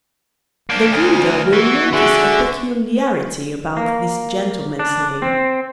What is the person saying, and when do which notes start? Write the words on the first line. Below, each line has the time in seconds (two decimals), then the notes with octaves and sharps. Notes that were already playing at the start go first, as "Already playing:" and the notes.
The reader will notice a peculiarity about this gentleman's name.
0.70 A#3 D4 G6
0.91 D2 G#5 D#6 F6
1.53 E3 F#4 B5
1.93 D3 F#4 G#4 E5
3.77 A#3
4.79 D4
5.22 C4